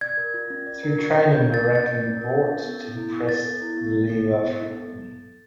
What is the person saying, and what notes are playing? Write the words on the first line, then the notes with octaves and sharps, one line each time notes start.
Through training the rat can be brought to depress the lever frequently.
D5 G#6
A#4
F4
C#4
D5
A#4
F4
C#4
D5 G6
A#4
A6
F4
A6
C#4
D5
A#4
F4
C#4
B3
A4
E4
B3
B3 A6
A4
E4
B3
B3
A4
E4
B3
B3
A4